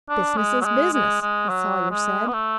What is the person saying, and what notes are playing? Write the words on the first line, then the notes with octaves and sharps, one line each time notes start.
"Business is business," the Sawyer said.
D4
G#3
F#3
G#3
G#3
G#3
F#3
G#3
B3
A3